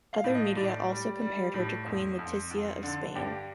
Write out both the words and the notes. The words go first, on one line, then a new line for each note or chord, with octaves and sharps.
Other media also compared her to Queen Letizia of Spain.
F5
A2
D#5
A2 D5
G3
G3
A2
F2
F2
F2
D3
G2 G4